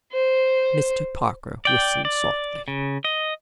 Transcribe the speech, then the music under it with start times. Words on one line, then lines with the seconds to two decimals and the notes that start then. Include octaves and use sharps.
Mr. Parker whistled softly.
0.13 C5
1.65 D5 G5
2.05 D5
2.68 C#3
3.05 D#5